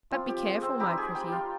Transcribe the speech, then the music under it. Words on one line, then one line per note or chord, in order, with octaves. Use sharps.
But be careful, my pretty!
F3 C4 F4
G4
G#3 G#4
C4 C5
G3 C4 D#4 G4 G5
G#4 G#5
G4 G5
F4 F5